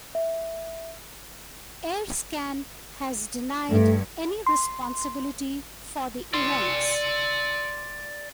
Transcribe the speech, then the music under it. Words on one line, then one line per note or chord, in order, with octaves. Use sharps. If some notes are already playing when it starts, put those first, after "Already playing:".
AirScan has denied any responsibility for the events.
E5
G2 A3
C6
D5 C6